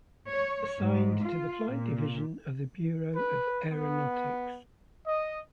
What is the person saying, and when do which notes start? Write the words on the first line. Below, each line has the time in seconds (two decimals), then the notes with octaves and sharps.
Assigned to the Flight Division of the Bureau of Aeronautics.
0.29 C#5
0.80 G#2
1.24 F4
1.72 A#2
3.15 B4
3.72 B3
5.07 D#5